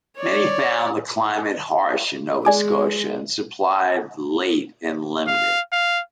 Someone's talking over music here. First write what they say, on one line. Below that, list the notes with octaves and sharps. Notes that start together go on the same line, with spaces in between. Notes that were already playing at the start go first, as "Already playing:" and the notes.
Many found the climate harsh in Nova Scotia, and supplies late and limited.
C#5 D5
G#3 D5 G#5 D6
F5
F5